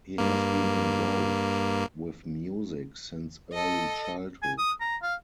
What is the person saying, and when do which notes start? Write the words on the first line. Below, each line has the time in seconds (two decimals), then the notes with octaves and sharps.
He has been involved with music since early childhood.
0.18 G2 A#3
3.53 A4 D#5
4.42 G#5
4.58 D#6
4.80 A#5
5.02 F5